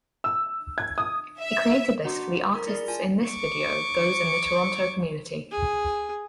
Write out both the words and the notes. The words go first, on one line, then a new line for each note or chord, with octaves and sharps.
He created this for the artists in this video those in the Toronto community.
E6
G#6
D#6
E5
D4 F#4 F#5 A#5 C6 D6
A#4 A#5
E4 G#4 D5
F4 G#5 A5
C#6 D6
G#4